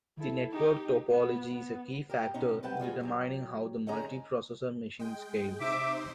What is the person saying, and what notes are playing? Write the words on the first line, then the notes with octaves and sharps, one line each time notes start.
The network topology is a key factor in determining how the multiprocessor machine scales.
E4 A4
D#4 G4
B3
B3
G4 A#4
B2 C#4 D#4
F#2 C3 B4 F#5 G5 A5
G3 F4 F#4 G#4
F#3 G4
D3 D#3 G#3 C#4 G#4 A#5
G#3 G5
C3 D#4 C5 E5 D6